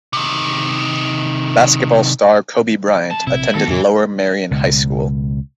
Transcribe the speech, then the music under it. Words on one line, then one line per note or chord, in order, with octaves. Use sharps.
Basketball star Kobe Bryant attended Lower Merion High School.
C3 D#3
F2 A5
A#1 C3 E4
D#3 G#3 B3 F#4 A4
F2 A#2 C#3 E3
C#2 B2